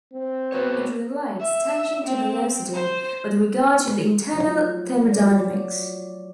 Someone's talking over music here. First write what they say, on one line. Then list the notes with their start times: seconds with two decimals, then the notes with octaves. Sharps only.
It relates tension to velocity with regard to the internal thermodynamics.
0.13 C4
0.52 B3 F#4 B4 C#5
1.40 E5
2.05 C4
2.74 C5
4.33 F3 F#3 A3 F4
5.12 F#3 D5